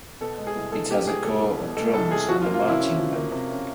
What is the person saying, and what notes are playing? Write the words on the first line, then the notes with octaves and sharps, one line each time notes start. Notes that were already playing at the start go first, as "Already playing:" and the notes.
It has a Corps of Drums and a "Marching" Band.
B2 A4
G#3
G#4
C2
C2 A4
B2 G4
G#3 G#4
C2 A4
C2
B2
G#3 A4
C2 A4
C2 G#4
F3 F#4
F4
A#3
F4
C3
E4
C#4
F3
A#3
C3
C#4